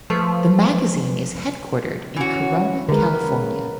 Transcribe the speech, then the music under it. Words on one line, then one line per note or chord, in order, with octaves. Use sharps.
The magazine is headquartered in Corona, California.
F3 A3 B4
E3 C#4 F#4
D3 G#3 A#4 B4
C#3